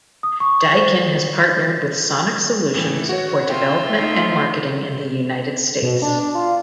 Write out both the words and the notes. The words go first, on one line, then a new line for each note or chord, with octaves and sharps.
Daikin has partnered with Sonic Solutions for development and marketing in the United States.
D#6
C#6
C5
A2 E3
F#4 C#5
F4 E5 G5
A3 D#4
B2
D4
F4